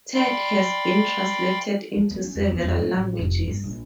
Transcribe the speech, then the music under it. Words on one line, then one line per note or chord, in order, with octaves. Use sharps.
Ted has been translated into several languages.
D5 F5 G5 B5 C6
F3
B3
C#4
F2
B3
F2
A3
A1
F1
G2
A#1